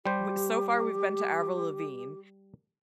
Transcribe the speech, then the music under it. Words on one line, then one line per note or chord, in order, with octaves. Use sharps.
w so far we've been to Avril Lavigne,
G3 G4 C5